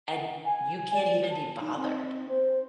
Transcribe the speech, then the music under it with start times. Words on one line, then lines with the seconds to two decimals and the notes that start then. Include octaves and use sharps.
and you can't even be bothered.
0.10 F#5
0.45 G#5
0.93 D5
1.29 A5
1.59 D#4
1.76 C4
2.28 C5